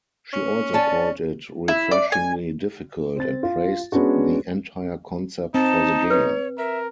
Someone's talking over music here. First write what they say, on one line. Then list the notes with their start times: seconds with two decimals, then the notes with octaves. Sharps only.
She also called it "refreshingly difficult" and praised the entire concept for the game.
0.33 C#4
0.73 C#5 D5 G#5 A5
1.68 E4
1.91 D5
2.12 G#5
3.16 C4 A6
3.43 F4
3.92 G#3 B3 C#4 D4 F#4
5.54 C4 D#4 A5
6.10 B4 C#5
6.58 A#4 E5